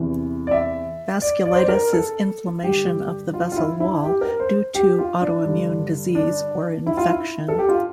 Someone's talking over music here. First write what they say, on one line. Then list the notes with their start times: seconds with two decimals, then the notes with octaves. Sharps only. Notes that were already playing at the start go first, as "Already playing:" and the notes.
Vasculitis is inflammation of the vessel wall, due to autoimmune disease or infection.
Already playing: E2 C3 E3
0.47 D5
0.51 E5
1.22 D5
1.46 D5
1.53 C5
1.61 D5
1.68 A#4
1.93 A4
2.63 G2 D3 G4
3.34 F4
3.52 F4
3.57 E4
3.80 E4
4.04 G4
4.21 A#4
4.40 C5
4.75 G4
4.98 F4
5.21 D4
5.45 G2 D3
6.15 D4
6.86 E4
6.97 F4
7.09 E4
7.48 A4
7.58 G4
7.69 F4